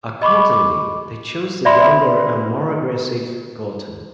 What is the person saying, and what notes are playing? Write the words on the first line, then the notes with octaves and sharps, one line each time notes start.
Accordingly, they chose the younger and more aggressive Gorton.
D#5 B5 C#6 D6
D5 E5 B5 C6